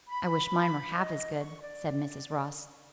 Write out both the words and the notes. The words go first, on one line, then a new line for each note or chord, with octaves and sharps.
"I wish mine were half as good," said Mrs. Ross.
B5
D#5
C#6
D5